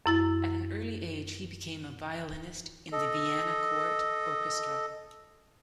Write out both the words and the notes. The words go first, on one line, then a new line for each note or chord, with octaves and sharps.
At an early age he became a violinist in the Vienna court orchestra.
F#2 E4 A6
A4 D#5